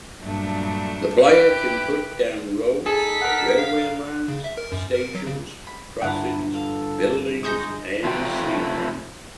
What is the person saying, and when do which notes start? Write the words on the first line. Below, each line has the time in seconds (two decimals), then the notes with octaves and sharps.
The player can put down roads, railway lines, stations, crossings, buildings and scenery.
0.21 G2 A#2 F#3 G3 A3 D4
1.20 E4 G4 B4
2.86 D#4 G#4 A4 B6
3.21 A#4 F#5
3.58 F5
4.28 C#3
4.44 E5
4.57 A#4
4.72 F#2
4.94 A#4
5.15 F#3
5.27 C#3
5.67 B5
6.02 G1 E4 G4 B4 F#5 A5 A#5
6.54 A4 F5
7.43 G#3 D#4 G#4 D#5 C#6 G6 A#6 E7
8.04 C3 A3 D#4 F4 G5